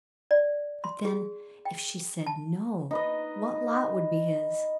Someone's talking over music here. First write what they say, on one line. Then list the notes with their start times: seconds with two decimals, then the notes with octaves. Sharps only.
But then, if she said "no," what lot would be his?
0.31 D5
0.84 C6
1.05 G#4
1.65 G5
2.26 A5
2.91 D#4 B4 D#5